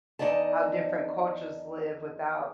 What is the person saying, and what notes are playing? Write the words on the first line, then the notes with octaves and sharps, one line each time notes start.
how different cultures live without,
E2 F#3 D#4 D5 D#5 A5